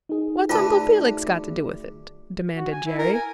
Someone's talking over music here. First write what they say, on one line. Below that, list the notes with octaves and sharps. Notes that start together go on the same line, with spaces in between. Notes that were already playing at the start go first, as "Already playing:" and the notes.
"What's Uncle Felix got to do with it?" demanded Jerry.
D#4 G#4
D2 D3 F4 B4 A5
F#4
G#5
E4
A#4
G#5